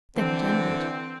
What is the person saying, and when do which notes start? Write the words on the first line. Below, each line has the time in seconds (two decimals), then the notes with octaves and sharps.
Then it ended.
0.16 D3 E3 C4